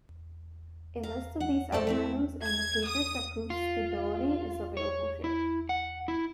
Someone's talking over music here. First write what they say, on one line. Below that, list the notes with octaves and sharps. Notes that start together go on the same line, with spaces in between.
A list of these algorithms and the papers that proved stability is available here.
F5 A#5
F#5
A2 A4 C5 D5
A3 C4 E4
G#6
D#6
F4
C#5
E4
F#5
E4